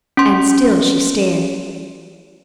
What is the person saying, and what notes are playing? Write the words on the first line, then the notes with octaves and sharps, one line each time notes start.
And still she stared.
C#4 C6